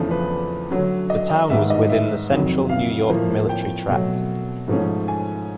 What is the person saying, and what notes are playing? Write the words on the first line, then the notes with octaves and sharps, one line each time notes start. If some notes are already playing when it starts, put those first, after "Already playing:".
The town was within the Central New York Military Tract.
Already playing: E2 C#3 F3 A3 D4
B4
D3 F#3 A3 C#4
D#5
D#5
G#2 D#3 G3 B3 D4 E5
D#5
E5
F2 C3 D#3 F#3
F5
A2 F3 A#3
G5
B2 F#3 A3
G#2 F3 A3 C#4
G#5